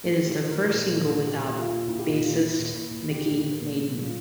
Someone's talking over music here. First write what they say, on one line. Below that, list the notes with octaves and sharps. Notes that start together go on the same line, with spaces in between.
It is their first single without bassist Mickey Madden.
A2 A4
G4
A2
A4
E3
A#4
A#2 A#4
A#2
A4
A#2
A#2 G4
A#2
F4
A#2
A#2 E4
G4
F4
A#2
F4
A#2 E4
A#2
A#2
A#2
A#2 G4
G4
A#2 A4
A#2 A#4
A#2
A#2
F4